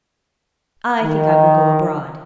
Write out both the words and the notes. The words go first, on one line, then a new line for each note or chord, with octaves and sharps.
"I think I will go abroad."
D#3